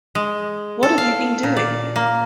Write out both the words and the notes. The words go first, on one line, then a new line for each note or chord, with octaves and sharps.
What've you been doing?
G#3
A4
F5
A#2
D5
A#3